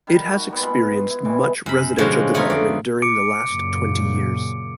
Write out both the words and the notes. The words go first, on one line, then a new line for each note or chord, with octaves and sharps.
It has experienced much residential development during the last twenty years.
D#3 G3 A#4
A3 F#4
G3 A#3 B3
B2 G#3 F4 B5
E4
B2 E3 G3 G#3
F#2 B5
B2 D3 F3 G3 G#3 C#4
A3 B3 F4 G#4 A#4
F2 D5
D6 C#7 D7
F#2 A#2 C#3